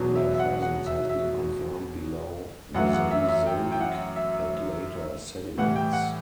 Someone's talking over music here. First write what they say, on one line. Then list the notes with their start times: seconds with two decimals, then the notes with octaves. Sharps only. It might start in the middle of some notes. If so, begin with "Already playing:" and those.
Their presence has been confirmed below Mesozoic and later sediments.
Already playing: E2 B2 F#3
0.15 E5
0.34 E5
0.39 F#5
0.62 F#5
0.86 E5
1.09 E5
2.75 F#2 E3 A3 F#5
2.93 F#5
3.11 E5
3.28 E5
3.46 G5
3.72 G5
3.81 F#5
4.16 E5
5.58 A2 E3 G3 F#5
5.76 G5
5.93 F#5